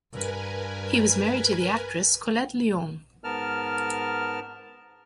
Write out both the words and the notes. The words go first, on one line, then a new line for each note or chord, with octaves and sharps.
He was married to the actress Collette Lyons.
G2 A#4 B4 G#5
G#2 B3 A#4 A5 F6